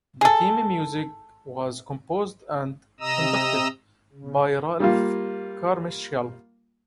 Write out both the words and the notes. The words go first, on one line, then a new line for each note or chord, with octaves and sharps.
The theme music was composed and conducted by Ralph Carmichael.
G#4 A4
C3 D#5 A#5 D#6 E6
C#3
G3 A#3 F4